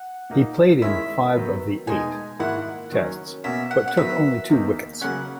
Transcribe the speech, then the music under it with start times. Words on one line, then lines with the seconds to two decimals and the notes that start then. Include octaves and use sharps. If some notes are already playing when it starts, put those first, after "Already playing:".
He played in five of the eight Tests but took only two wickets.
Already playing: F#5
0.30 A#2 A#3 D#4
0.82 D#3 G#3 C#4 E4 E5
1.35 D#3 F#3 B3
1.87 E2 B2 G#3 D#4 G#5
2.40 G#2 D#3 A#3 E4 F#5
2.92 D#3 F#3 C#4
3.44 B2 A#3 C#4 F#4 E5
3.71 F#5
3.88 F#5
3.97 D#3 F#3 B3 E5
4.49 E2 D#3 A#3 D#4
5.01 C#3 F#3 A#3 C#4 F#5